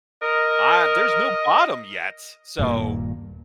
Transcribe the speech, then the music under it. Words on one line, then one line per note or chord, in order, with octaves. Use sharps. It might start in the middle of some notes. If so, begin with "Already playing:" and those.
ah, there's no bottom yet, so,
A#4 D#5
D#1 G2 A#2 A#3